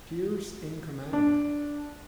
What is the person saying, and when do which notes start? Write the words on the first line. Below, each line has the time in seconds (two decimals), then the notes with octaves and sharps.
Pierce in command.
1.13 D4